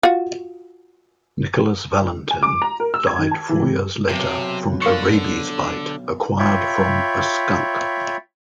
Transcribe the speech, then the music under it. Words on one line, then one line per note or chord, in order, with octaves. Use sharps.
Nicholas Valentin died four years later from a rabies bite acquired from a skunk.
F4 F#4
G#5
D6
A#5
A#4
E6
G#6
D#3
A5
E3
C3
B1 C3
D3 A#3 C#6
F4 C#5 E5 G5 B5